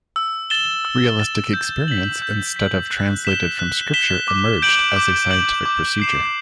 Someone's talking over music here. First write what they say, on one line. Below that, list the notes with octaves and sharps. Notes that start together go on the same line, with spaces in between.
Realistic experience, instead of translated from scripture, emerged as a scientific procedure.
E6
A6 E7 G7
E6
A6 E7 G7
G6
B6 F#7
G6
B6 F#7
F#6
B6 E7 G7
F#6
B6 E7 G7
D6
G6 D7 F#7
D6
G6 D7 F#7
D6
G6 C7 E7